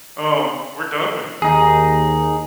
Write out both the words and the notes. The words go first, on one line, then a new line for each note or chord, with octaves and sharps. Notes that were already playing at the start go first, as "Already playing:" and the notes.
um, we're done with you.
D#2 D#4 G#4